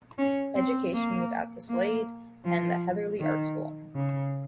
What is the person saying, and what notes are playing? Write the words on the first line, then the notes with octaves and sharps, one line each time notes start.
Education was at the Slade and the Heatherley Art School.
C#4
C4
A#3
A#3
F3
D#3
C#3